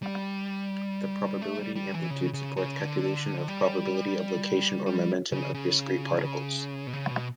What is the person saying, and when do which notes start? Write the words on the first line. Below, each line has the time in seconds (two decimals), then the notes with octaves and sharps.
The probability amplitude supports calculation of probability of location or momentum of discrete particles.
0.03 G3
1.41 A3
1.59 G3
1.76 G3
1.93 E3
2.10 C#3
2.33 C#3
2.56 C#3
2.79 D3
3.48 G3
4.86 G3
5.32 C#3
5.54 C#3
6.87 B2
6.93 C#3
7.11 B2